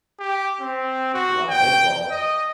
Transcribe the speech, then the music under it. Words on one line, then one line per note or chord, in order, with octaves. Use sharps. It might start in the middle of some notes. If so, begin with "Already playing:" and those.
That's a lotta baseball.
G4
C4
F#4
G5
D#5